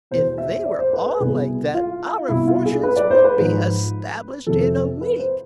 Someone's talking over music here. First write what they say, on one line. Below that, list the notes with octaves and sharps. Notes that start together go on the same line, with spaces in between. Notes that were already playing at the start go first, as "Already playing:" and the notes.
"If they were all like that our fortunes would be established in a week."
E2 B2 C5
E5
D5
C5
B4
B4
C2 B2 G#4
F4
C2 B2 E4
F4
G#4
B4
D5
C5
B4
G#2 F3
F2 C3 F3 A4
B4
C5